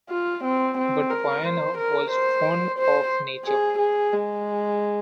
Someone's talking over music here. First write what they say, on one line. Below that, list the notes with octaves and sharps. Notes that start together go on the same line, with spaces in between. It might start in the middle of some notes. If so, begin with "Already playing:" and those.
But Viana was fond of Nature.
F4
C4
C4
A#4
C5
A#4
C5
C5
G#4
G#4
G#3